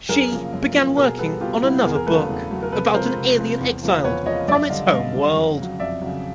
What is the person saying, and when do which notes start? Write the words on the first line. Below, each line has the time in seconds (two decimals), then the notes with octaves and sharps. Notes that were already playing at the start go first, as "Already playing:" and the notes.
She began working on another book about an alien exiled from its home world.
0.09 F#2 G#4 A#4
0.31 C#3 F3 A#3
0.53 F#2
0.75 C#3 F3 A#3
0.97 B2 G#4 A#4
1.19 G3 B3 A4 B4
1.41 B2 F4 G4
1.62 G3 B3 E4
1.85 E2 G#4 A#4
1.96 A#4
2.07 C#3 F#3 A3 A4 B4
2.29 E2
2.51 C#3 F#3 A3
2.63 A#4
2.73 C3 A4 B4
2.94 F3 G#3 A#4 C5
3.16 C3
3.39 F3 G#3
3.60 E2
3.82 C#3 F3 A#3
4.04 E2 B4 C#5
4.26 C#3 F3 A#3 C#5 D#5
4.48 F#2 D5 E5
4.70 D3 G3 D#5 F5
4.92 F#2 D#5 F5
5.14 D3 G3
5.36 F2
5.58 C#3 F#3
5.79 F2 D5 E5
6.01 C#3 F#3